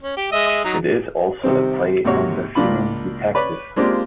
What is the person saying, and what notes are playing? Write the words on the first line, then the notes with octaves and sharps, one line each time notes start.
It is also a play on The Singing Detective.
C#4
G4
G#3 D#5 E5
F#3 D#4
C3 D#3 G3 C4
D#2 G#2 C3 A#3 F#4 C#5
C#2 A#3 D4 F4 B5
B4 C#5 D5 B5
G#3 A#3 C4 D4 F4 G4